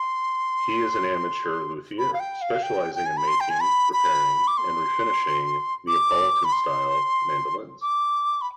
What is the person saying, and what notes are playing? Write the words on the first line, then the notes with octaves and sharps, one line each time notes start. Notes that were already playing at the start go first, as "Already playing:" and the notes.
He is an amateur luthier, specializing in making, repairing, and refinishing Neapolitan-style mandolins.
Already playing: C6
B5
F5
G5
F5
G5
G5
G#5
B5
C6
G5
G#5
B5
B5
D6
C6
D6
B5
C6
D6
B5